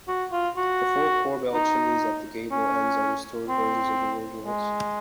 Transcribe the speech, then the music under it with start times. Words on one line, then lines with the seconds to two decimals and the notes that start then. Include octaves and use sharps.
The four corbelled chimneys at the gable-ends are restored versions of the originals.
0.08 F#4
0.32 F4
0.57 F#4
1.54 D#4
2.52 C#4
3.49 C4
4.45 G#3